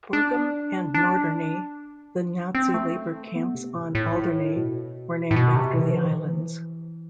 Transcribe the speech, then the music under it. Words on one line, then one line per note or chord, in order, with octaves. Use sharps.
Borkum and Norderney, the Nazi labour camps on Alderney, were named after the islands.
D4
D4
C4
A3
B3
C3
A2
A2
B2
A2
B2
C3
E3
F3
E3